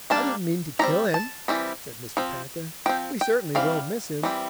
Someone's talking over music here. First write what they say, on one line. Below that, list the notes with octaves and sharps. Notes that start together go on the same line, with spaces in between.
'I didn't mean to kill him,' said Mr. Panther. 'We certainly will miss him.
G3 A#3 D4 A5
E3 G3 C4 A#5
A5
E3 G3 C4
F3 C4
F3 C4 G5
G5
E3 G3 C4 F5
E3 G3 C4